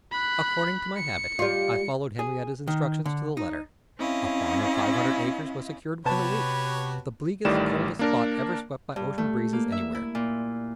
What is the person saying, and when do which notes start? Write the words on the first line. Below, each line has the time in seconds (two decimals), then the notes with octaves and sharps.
According to my habit I followed Henriette's instructions to the letter. A farm of five hundred acres was secured within a week, the bleakest, coldest spot ever swept by ocean breezes anywhere.
0.11 B5 F#6
0.98 C#7
1.39 G3 F4
2.19 G#4
2.68 D#3
3.06 D3
3.37 D#4
3.97 C4 C#4 E4 D#5 F5
6.05 C3 B3 F#4 G4 B4 C#5 A5
7.45 A1 A2 D#3 G3 D5 E7
7.99 A#3 D4 A#4
8.96 G2
9.18 A3
9.53 A#3
9.72 E5
9.94 E4
10.15 A#2